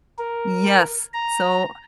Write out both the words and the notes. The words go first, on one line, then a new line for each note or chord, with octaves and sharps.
Yes. So,
A#4
A#5